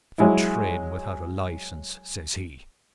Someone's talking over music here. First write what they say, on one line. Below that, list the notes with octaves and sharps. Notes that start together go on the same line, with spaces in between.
For trading without a licence, says he.
F#3 G#3 E4